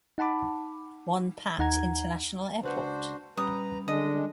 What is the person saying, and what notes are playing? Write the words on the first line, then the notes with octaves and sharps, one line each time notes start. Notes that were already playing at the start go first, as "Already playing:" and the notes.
Won Pat International Airport.
D#4 F#5 A5 B5 D6
D#2 D#4 F#5 A#5 G#6
C#2 D4 F#4 B4 C5 F#5
G3 C#4 B4 A#5 D#6
D3 G#3 D4 D#5